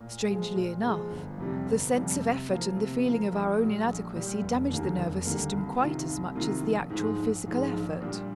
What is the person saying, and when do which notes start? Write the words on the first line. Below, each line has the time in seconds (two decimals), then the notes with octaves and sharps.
Strangely enough, the sense of effort and the feeling of our own inadequacy damage the nervous system quite as much as the actual physical effort.
0.01 A#2
0.29 F3 G#3
0.56 A#2
0.83 F3 G#3
1.11 G1
1.38 F2 C3 G3
1.66 G1
1.94 F2 C3 G3
2.21 C3
2.50 F3 A#3
2.76 C3
3.05 F3 A#3
3.32 A#1
3.60 A#2 G3
3.87 A#1
4.14 A#2 G3
4.42 F1
4.70 D#2 D3 G3 A#3
4.98 F1
5.25 D#2 D3 G3 A#3
5.53 C2
5.80 C3 D#3 A#3 F4
6.08 C2
6.35 C3 D#3 A#3 F4
6.63 A#1
6.90 G#2 F3 G#3
7.19 A#1
7.46 G#2 F3 G#3
7.74 A#1
8.01 A#2 G3 D4